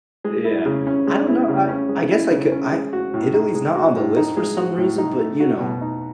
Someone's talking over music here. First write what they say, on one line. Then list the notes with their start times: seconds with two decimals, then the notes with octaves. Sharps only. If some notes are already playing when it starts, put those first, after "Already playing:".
Yeah, I don't know, I I guess I could I Italy's not on the list for some reason, but, you know,
0.24 G#3
0.45 E4
0.66 C#3
0.87 C#4
1.07 G#3
1.27 E4
1.49 C#3
1.69 C#4
1.89 G#3
2.11 E4
2.31 C#3
2.52 C#4
2.72 G#3
2.93 F#4
3.14 A2
3.34 D#4
3.54 G#3
3.75 F#4
3.96 A2
4.17 D#4
4.37 G#3
4.57 F#4
4.78 A2
4.98 D#4
5.19 A3
5.40 F#4
5.60 B2
5.81 D#4